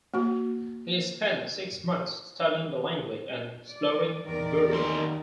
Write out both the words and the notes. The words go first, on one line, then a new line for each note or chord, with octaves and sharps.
He spent six months studying the language and exploring Buru.
A#3 F#4
D5
E2 D#3 A#4 D5
D#2 D#4 C6